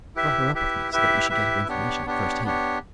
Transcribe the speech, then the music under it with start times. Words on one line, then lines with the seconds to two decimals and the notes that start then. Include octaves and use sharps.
I brought her up with me, so that you should get her information at first hand.
0.15 E4 G4 B4 E5
0.55 E4 G4 B4 E5
0.92 E4 G4 B4 E5
1.30 E4 G4 B4 E5
1.68 B3 D4 G4 C#5
2.06 B3 D4 G4 C#5
2.44 B3 D4 G4 C#5